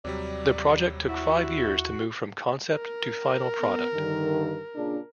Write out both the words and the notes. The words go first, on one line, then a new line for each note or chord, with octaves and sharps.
The project took five years to move from concept to final product.
D#2 C3 F#3 G3 D5
E4 F#4
A#4
B3
G2 D3 D#3
A#2 C#3 D4